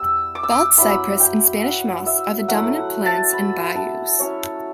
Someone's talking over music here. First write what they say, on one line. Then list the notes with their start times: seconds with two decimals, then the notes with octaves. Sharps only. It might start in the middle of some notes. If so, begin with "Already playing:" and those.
Bald cypress and Spanish moss are the dominant plants in bayous.
Already playing: G3 B3 E4 E6
0.35 D6
0.43 E6
0.51 D6
0.78 F#3 B3 E4 B5
1.20 G5
1.63 F#5
2.06 E5
2.48 F#3 A3 E4 F#5
3.06 A5
3.33 B5
3.76 A5
4.19 F#3 C#4 E4 C#5